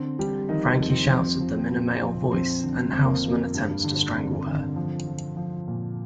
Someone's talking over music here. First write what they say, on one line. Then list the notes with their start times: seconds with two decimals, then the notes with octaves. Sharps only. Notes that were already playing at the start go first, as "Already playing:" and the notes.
Frankie shouts at them in a male voice, and Houseman attempts to strangle her.
Already playing: D3 C4
0.19 D3 G3 G4
0.49 D#3 F3 D#4
0.69 C4
0.79 F2
0.90 C4
1.10 F3 C4
1.41 F3
1.71 A#2
2.01 F3
2.32 F2 C4
2.63 D3
2.93 F2 C4
3.05 A#3
3.24 F3 A#3
3.54 G2
3.84 D3
4.08 D4
4.15 D3 C4
4.46 D3
4.76 F3
5.07 F3
5.37 F3
5.68 A#2